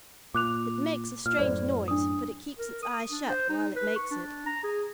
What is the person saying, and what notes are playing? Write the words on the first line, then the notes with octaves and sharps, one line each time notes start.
"It makes a strange noise, but it keeps its eyes shut while it makes it."
A#2 D6 F#6 F7
A#2 F6
F#2 A2 C5 D5
D4 D#6
A#4
D#6
D4
C5
D#4
B4
C#6
D4
A#5
G#4